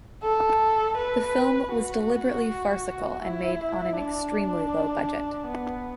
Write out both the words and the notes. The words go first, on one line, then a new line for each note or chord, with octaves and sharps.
The film was deliberately farcical and made on an extremely low budget.
A4
B4
F#4
E4
D4
B3